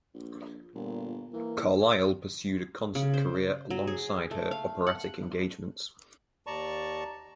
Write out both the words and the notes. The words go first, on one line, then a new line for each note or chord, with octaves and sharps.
Carlyle pursued a concert career alongside her operatic engagements.
A#1
G1 A#2
E3 A#3
C#3
C5
F#3
G#4
A3
F5
F#5
D#2 D5 A5 A#5 C#6